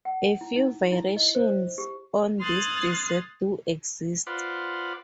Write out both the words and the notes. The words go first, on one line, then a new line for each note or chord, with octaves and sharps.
A few variations on this dessert do exist.
F#5
E4
D#4
E4
D#5
C5
G4
C6 D#6 F6 F#6 G#6 A6
F4 B4 C5 D5 F#5